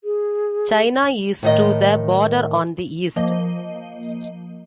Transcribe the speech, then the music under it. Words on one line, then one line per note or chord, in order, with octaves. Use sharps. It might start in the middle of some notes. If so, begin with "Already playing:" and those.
China is to the border on the east.
G#4
A2 D#3 D#5
F3 A#3 D#5